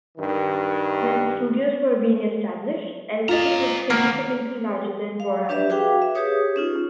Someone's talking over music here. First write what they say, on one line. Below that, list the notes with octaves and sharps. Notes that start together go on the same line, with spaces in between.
When the studios were being established, Elstree was significantly larger than Borehamwood.
G2 D#3
F4 D5 D#5 A#5
D#3 A#3 B3
F5
D4 G4 B4 D5 E5
F#4 G#4 B4 F5 G5 D6
E5
G4 G#4 B4 C#5 D#6
C#4 D#4 F4